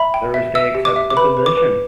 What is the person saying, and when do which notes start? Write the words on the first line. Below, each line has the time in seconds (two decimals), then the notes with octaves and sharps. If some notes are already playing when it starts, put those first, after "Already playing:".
Thursday accepts the position.
Already playing: E5 B5
0.14 G5
0.34 E5
0.55 E5 E6
0.75 G4
0.85 D6
0.96 E5
1.10 D6
1.17 B4 B5
1.37 B4
1.46 D6
1.57 B4